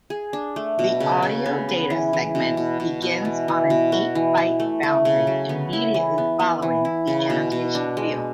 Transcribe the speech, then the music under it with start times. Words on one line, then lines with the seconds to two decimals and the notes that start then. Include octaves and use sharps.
The audio data segment begins on an eight-byte boundary immediately following the annotation field.
0.10 G#4
0.33 D4
0.56 A3
0.79 B2
1.00 C#3
1.23 C#3
1.46 B3
1.69 B3
1.90 E3
2.13 E3
2.35 B2
2.57 B2
2.80 B2
3.02 B2
3.25 E3
3.48 E3
3.70 B2
3.92 F#4
4.15 E3
4.38 E3
4.60 A3
4.83 A3
5.05 C#3
5.27 F#3
5.49 B3
5.73 E4
5.94 E3
6.18 B3
6.39 B3
6.62 E3
6.85 E4
7.07 C#3
7.30 B2
7.52 B2
7.75 D4
7.97 G#3